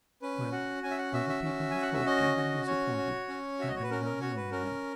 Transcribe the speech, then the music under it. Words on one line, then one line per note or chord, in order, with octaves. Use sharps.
Well, other people have hoped and been disappointed; I am not alone in that.
C#4 B4
F#4 F#5
C#4 G#5
E5
F#5
F#4 E5
E5
C#4
F#4 G#5
F#5
E5
C#4 D#5
F#4
C#4 C#5
F#4
C#4
F#4 E5
D#5
C#5
B4
C#4 A#4
A#4
F#4 C#5
B4
C#4 A#4